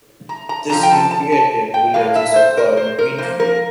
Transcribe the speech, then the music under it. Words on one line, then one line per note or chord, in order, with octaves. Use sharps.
This recreated village is called Wheatfield.
A#5
A#5
D3 F3 C4 A#5
G5
A5
A5
A5
G5
A2 G3 A#3 F5
E5
C5
A#4
C5
A#4
A2 F3 A#3 C5
A#4